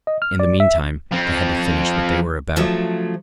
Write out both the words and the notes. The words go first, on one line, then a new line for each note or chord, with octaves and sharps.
In the meantime they had to finish what they were about.
D#5
F6
D5
E5
F3 C4
C#3 F3 F#3 A3